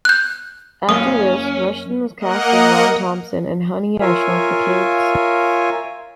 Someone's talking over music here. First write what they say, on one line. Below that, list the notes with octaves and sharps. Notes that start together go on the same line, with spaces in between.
After this, Rushton was cast as Ron Thompson in "Honey, I Shrunk the Kids".
F#6 G6
F#2 A#3 C#4 D#5 D#6
A#3 A#4 D#5 F#5
F4 A#4 C#5 E5 F5 G#5